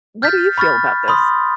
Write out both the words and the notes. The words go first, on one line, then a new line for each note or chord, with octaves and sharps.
What do you feel about this?
F6 G6 A6 B6
B5 C#6 F6 A6
B5 C6 D#6